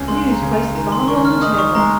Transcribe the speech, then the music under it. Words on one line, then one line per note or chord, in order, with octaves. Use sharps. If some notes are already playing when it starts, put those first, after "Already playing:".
Hughes placed the bottle on the table.
Already playing: C#2 C#4
G#3 C6
A#5
C#3
G#5
D#3 A#5
C6
D#3 C#6
F6
D#4 D#6
D#6
C#6
G#3 A#5